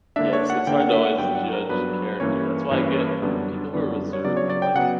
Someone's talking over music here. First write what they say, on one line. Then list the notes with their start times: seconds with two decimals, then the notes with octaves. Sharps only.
Yeah, it's it's hard to always judge character, that's why I get people who are reserved, like,
0.16 D3 A#3 D4 E5
0.33 C#5
0.50 F#5
0.67 D3 A#3 D4 G5
0.80 F#5
0.93 E5
1.05 F#5
1.18 G2 F#3 B3 D4 G5
1.35 F#5
1.53 A#4
1.69 G2 F#3 B3 D4 B4
2.20 G2 E3 A#3 C#4 C#5
2.71 G2 E3 A#3 C#4
3.22 F#2 D3 G3 B3 D4
3.73 F#2 D3 G3 B3 D4
4.13 C#5
4.25 C#3 F#3 B3 D5
4.37 C#5
4.50 D5
4.62 G5
4.75 C#3 F#3 B3 F#5